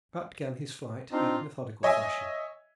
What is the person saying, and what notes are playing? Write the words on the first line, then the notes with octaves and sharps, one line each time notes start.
Pratt began his flight in methodical fashion.
C4 D4 D#4 F4
C#5 D#5 E5 G#5